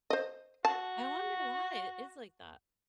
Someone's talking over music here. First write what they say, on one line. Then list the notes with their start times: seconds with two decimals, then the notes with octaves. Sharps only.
I wonder why it is like that.
0.10 C5 D#5
0.65 F#4 A5